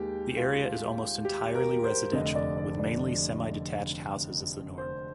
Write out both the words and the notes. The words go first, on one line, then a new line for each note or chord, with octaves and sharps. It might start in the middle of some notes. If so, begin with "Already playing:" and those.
The area is almost entirely residential, with mainly semi-detached houses as the norm.
Already playing: D#2 D#3 G#3 G4
F4
G4
A#4
C5
F1 F2 D3 D#5
D5
D5
D5
C5